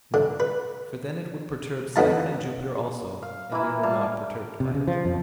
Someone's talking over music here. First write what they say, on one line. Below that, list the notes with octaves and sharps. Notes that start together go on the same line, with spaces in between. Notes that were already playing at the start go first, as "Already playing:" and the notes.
No, for then it would perturb Saturn and Jupiter also, and they were not perturbed by it.
D3
B4
F2 B3 D#4 A5
F5
E3 A#3 E4
G3 F5 A5
C3
C#3
F3
F2